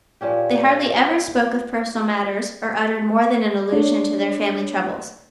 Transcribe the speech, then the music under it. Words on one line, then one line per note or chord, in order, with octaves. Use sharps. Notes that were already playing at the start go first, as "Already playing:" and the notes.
They hardly ever spoke of personal matters, or uttered more than an allusion to their family troubles.
A#2 F3 C#4 G4
D4 C#5